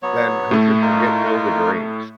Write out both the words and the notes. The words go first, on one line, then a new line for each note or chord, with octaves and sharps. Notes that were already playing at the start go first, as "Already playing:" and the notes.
then who can forget Field of Dreams?
F#3 B3 C#5
A2 A3
D#4 F4 A#4